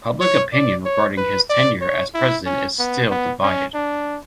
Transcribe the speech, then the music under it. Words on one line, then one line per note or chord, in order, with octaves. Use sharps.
Public opinion regarding his tenure as president is still divided.
C#5
D5
C#5
B4
D5
C#5
E4
C#4
B3
B3
C#4
D4